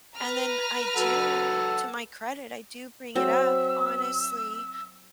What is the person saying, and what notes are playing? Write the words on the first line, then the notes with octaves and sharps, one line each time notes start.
and then I do to my credit, I do bring it up honestly,
B4 A#5 F6
F#3 A4 F#5
F#3 C4 E6